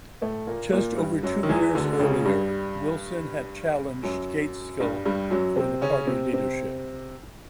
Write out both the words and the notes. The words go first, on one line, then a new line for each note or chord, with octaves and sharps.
Just over two years earlier Wilson had challenged Gaitskell for the party leadership.
A2 A3
A#2 A#3
A#2 A#3
G2 G3
F#2 F#3
D#3
E2 E3
D2 D3
D3
C#2 C#3
G2 G3
F#2 F#3
G2 G3
G2 G3
F#2 F#3
C3 C4
C#3 C#4
C3 C4
C3 C4